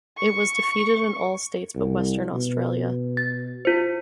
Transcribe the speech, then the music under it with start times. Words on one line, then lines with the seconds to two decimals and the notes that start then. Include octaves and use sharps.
It was defeated in all states but Western Australia.
0.18 C#6
1.75 C2
2.33 B2
3.17 A6
3.65 F4 C5